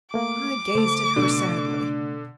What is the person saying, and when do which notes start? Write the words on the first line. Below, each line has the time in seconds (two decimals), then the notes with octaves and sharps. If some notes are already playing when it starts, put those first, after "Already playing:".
I gazed at her sadly.
0.14 A3 A#3 D6
0.75 C#3 A3 A4 C5
1.16 B2 D3